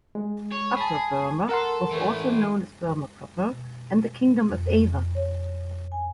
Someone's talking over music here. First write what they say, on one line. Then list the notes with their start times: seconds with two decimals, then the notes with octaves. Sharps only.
Upper Burma was also known as Burma proper and the Kingdom of Ava.
0.15 G#3
0.52 C#5
0.77 G#4 A5 B5
1.49 A4 A#4 F#5 C6
1.91 E3 A3
3.52 B2
4.49 F2
5.15 C#5
5.92 G#5